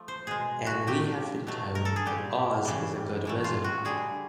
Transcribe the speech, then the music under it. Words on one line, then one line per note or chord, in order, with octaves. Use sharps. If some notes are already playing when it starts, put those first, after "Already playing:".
And we have been told that Oz is a good Wizard.
Already playing: F3 A3
C5
B2 G#3 G#4
F#4
A2 F#3 A3 G4
B2 F#3 A3
A#4
A4
G#4
A#2 G3 G4
C#3 E3 G3
A2 E3 A3
F4
F#4
D3 G3 G#4